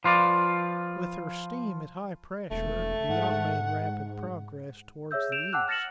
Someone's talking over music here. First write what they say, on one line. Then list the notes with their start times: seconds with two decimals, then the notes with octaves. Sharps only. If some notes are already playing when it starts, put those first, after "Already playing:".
With her steam at high pressure, the yacht made rapid progress towards the east.
0.04 F3 F4 B4 D5
2.51 E1 A3
3.09 G#2 F#5
5.11 G#4 C#5 E5 E6 G6
5.32 G6 D7 E7 F7
5.53 F#5 G5 A5 D6 E6 F#6
5.68 F6 A6 A#6 C#7 E7 F#7